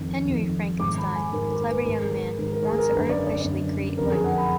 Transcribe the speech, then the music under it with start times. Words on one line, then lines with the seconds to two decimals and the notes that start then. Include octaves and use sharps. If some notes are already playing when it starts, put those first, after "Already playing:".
Henry Frankenstein, a clever young man, wants to artificially create life.
Already playing: F2 D#3
0.27 F2 D#3
0.80 G#2 D#3 D6
0.98 B5
1.15 G#5
1.33 G#2 D#3 A#4
1.51 A#4
1.68 B4
1.85 G#2 D#3 A#4
1.96 G#4
2.06 A#4
2.39 G#2 D#3 A#4
2.52 A#4
2.65 G#4
2.78 A#4
2.92 F#2 D3 B4
3.09 D5
3.27 D5
3.44 F#2 D3
3.97 F2 D3 A#4
4.11 G#4
4.24 F#5
4.38 B5